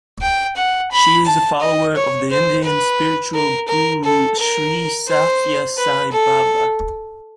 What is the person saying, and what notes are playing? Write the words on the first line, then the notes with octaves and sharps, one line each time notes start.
She is a follower of the Indian spiritual guru Sri Sathya Sai Baba.
G5
F#5
B5
A5
D#5
C#5
C5
B4
A#4
A#4
A4
A#4
C5
B4
A4